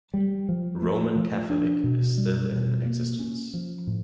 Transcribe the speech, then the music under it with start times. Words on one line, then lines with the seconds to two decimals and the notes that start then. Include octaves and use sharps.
Roman Catholic is still in existence.
0.14 G3
0.49 F3
0.82 A3
1.16 F3
1.50 D4
1.84 B2
2.18 G3
2.52 B2
2.86 A#3
3.19 C#4
3.54 F3
3.87 A2